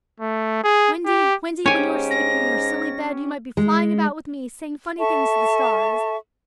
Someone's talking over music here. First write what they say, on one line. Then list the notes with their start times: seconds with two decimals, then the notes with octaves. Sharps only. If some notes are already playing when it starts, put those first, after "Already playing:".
"Wendy, Wendy, when you are sleeping in your silly bed you might be flying about with me saying funny things to the stars."
0.20 A3
0.64 G#4
1.05 G4
1.66 G#2 C#4 G4 C#5 G#5
2.10 A#6
3.57 G#3
4.99 A4 E5 A5 C#6